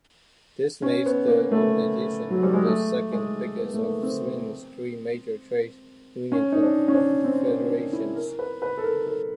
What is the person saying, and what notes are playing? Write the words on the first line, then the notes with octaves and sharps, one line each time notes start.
This makes the organization the second biggest of Sweden's three major trade union confederations.
C#4
B3
A#3
A3
F#3
G3
G#3
A3
G#3
B3
A#3
A3
A#3
C4
C#4
D#4
D4
C#4
D4
C4
A#3
D4
E4
A#4
B4
B4
A4
A#4
A4